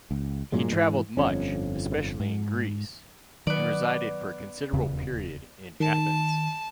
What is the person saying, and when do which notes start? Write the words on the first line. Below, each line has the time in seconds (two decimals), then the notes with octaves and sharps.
He traveled much, especially in Greece, and resided for a considerable period in Athens.
0.11 C#2
0.52 G2 A#2 F#3 G#3
0.72 G#2 E3
1.17 G1 F2 C#4
2.20 G#2
3.47 D#3 F#3 B3 D5
4.73 D#1 E2 C#3
5.80 D#3 A5